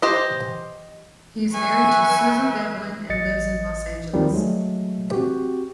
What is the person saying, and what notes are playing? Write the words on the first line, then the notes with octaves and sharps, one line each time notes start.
He is married to Susan Devlin and lives in Los Angeles.
G4 C5 D#5
B4 E5 G#5 C#6
A1 D#5 A6 C#7
D#2 D#3 F3 G3 C4
F#3 G#3 A3
C4 F#4 G4